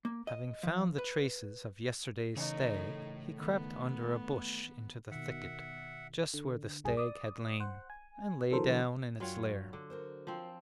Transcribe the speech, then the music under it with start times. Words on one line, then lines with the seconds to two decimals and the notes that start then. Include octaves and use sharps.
Having found the traces of yesterday's stag he crept under a bush into the thicket just where the stag had lain, and lay down in its lair.
0.05 A#3
0.27 D#5
0.63 F3
0.98 B4
2.36 C#3 E3 A3 D#4 A4 A#4 C#5
3.39 D#3 B3
5.11 B2 D#3 E5 F#5
6.34 D3
6.84 B1 G2 G#4
6.97 D5 D#6
7.60 C5 F#5
7.90 G#5
8.51 D3 E3 F#3 A4 A#4 C5
9.20 F#2 F#3 D4 F4 C#5 G5
9.73 D3
9.90 F#4 A#4 C5
10.27 F3 C4